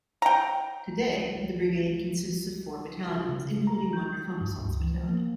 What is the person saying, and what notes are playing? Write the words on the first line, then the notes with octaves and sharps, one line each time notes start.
Today the brigade consists of four battalions, including one reconnaissance battalion.
G5 A#5
F4
C#3
A#5
G6
G2
C#2
E3
F3
A#3